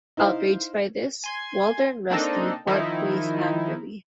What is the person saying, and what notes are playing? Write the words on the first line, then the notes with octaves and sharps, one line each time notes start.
Outraged by this, Walter and Rusty part ways angrily.
D#4 E4 C5 F5
G#5 C6 G#6
A#3 C4 D4 D#4 A4 D#5
D#3 F3 D#4 E4